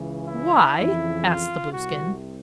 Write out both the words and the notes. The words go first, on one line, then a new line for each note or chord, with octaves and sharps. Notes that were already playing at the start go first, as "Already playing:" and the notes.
"Why?" asked the Blueskin.
Already playing: C#2 C#3 E3
E4
F2 C#3 E3 E4
F4
C2 C3 F#4